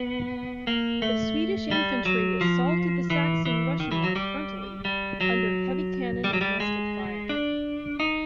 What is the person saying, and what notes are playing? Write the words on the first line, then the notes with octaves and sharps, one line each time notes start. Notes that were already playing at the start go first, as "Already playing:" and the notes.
The Swedish infantry assaulted the Saxon-Russian line frontally, under heavy cannon and musket fire.
Already playing: B3
A#3
A3
G3
F#3
F3
E3
E3
D#3
E3
F#3
G3
G3
F#3
G3
F#3
G3
G#3
D4
D#4